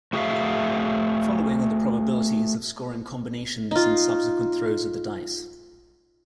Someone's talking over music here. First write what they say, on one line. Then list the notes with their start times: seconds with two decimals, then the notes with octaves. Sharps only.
Following are the probabilities of scoring combinations in subsequent throws of the dice.
0.13 A3 F#4 G#4 C5 E5 F5
3.71 D#4 F4